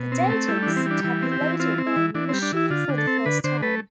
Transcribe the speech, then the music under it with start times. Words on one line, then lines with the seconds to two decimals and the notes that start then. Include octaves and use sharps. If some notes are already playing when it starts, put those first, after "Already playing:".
The data was tabulated by machine for the first time.
Already playing: B2
0.12 C4
0.30 A3
0.48 G3 E4
0.63 E3 D4
0.77 C4
0.86 G3 D4
1.04 E3
1.22 C4
1.32 G4
1.41 E3
1.60 C4 F4
1.78 C4
1.87 E4
1.96 E3
2.15 E3 D4
2.29 G3 C4
2.42 D4
2.52 E3 E4
2.70 D3 F4
2.89 D3
2.98 A4
3.07 C4
3.25 D3 B4
3.44 D3 C5
3.62 A3 B4